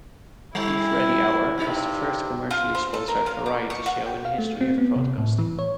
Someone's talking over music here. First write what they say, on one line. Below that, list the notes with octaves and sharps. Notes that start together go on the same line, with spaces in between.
"Eveready Hour" was the first commercially sponsored variety show in the history of broadcasting.
G3 E4
G2 C3 D#4
F4
C4
A4
A#4
F5
D6
C#6
F#5
G5
F5
A3
C4
B3
C3
A2
E3
C#5